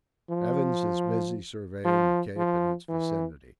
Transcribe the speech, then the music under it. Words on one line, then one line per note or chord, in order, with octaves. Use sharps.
Evans is busy surveying the Cape and its vicinity.
F3
F3
F3
E3